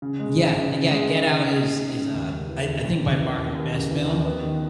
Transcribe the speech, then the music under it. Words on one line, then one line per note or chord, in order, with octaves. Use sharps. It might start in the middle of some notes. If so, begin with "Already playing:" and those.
Yeah, yeah, Get Out is is, uh, I I think by far his best film.
C#3
G#3
D#4
C#3
C#3
G#3
D#4
C#3
C#3
G#3
D#4
C#3
D#2
C#3
E3
D#2
D#2
C#3
E3
D#2
D#2
C#3
E3
D#2
B3
D#3